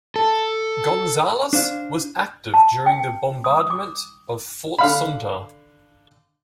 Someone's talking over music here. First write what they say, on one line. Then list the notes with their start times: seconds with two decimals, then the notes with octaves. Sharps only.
Gonzales was active during the bombardment of Fort Sumter.
0.16 A4
1.53 D4 C5 F5
2.54 A5
2.86 G5
3.44 D#6
3.70 D6
4.79 D3 F5 B5